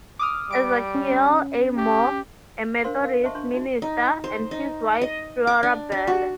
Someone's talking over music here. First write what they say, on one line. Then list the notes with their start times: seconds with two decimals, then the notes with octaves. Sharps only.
Ezekial A. Moore, a Methodist minister, and his wife, FloraBelle.
0.19 D6 D#6 F6
0.51 G3 D6 D7
0.95 C#4
1.77 G4
2.84 D4 A#4 C5 F5 C6
3.04 A#4 F5
3.24 C5 D#5 E5 A5 C6 C#6
3.35 D4 C6 C#6
3.53 D#4 F#4
3.82 D#4
4.24 C5
4.51 D#4
5.01 D#5
5.47 D6
5.63 D4
5.92 D4
6.07 F#4